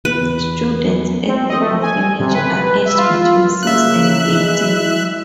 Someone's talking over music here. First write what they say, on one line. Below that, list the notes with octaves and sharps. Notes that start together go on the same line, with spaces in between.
Students at the orphanage are aged between six and eighteen.
E2 B4
C4
D#5
A3
G#5
C3
B4
E5
F4
C#3 A#3 E5 F#6
E3 G#3 E4